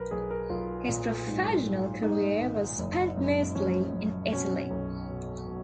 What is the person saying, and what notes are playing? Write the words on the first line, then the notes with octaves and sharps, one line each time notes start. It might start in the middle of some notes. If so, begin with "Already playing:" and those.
His professional career was spent mostly in Italy.
Already playing: B1 A#4 B4
B1 G#4
A#4
B1 F4
A#2
G#2
G#2
G#2 D#4
G#1
F#1
F#2
F3 C#4
F#2
B2 C#4
B1
B2
B2